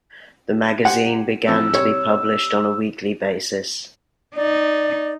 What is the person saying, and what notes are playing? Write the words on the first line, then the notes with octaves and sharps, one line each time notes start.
The magazine began to be published on a weekly basis.
G4 C5 F#5 G#5
A1 F3 C4 E6
C3 G3 C#5
D#4 D5